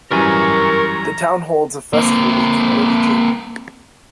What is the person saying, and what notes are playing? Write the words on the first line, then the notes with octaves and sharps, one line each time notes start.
The town holds a Festival Week in early June.
F#2 E3 G3 A#4 G#5 A#5 C#6
A#3 C4